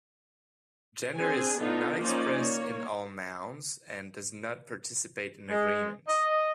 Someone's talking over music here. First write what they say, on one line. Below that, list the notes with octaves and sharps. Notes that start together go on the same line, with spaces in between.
Gender is not expressed in all nouns, and does not participate in agreement.
C4 D4 G#4 G#5
B3 D4 D#4 F4 A4
F3 A#3 C#4 D#4 C5 D5
A#3 C#5
G#3
D#5